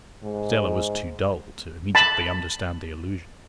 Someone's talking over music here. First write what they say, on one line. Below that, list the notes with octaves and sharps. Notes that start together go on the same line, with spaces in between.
Stella was too dull to immediately understand the allusion.
G#2
A5 B5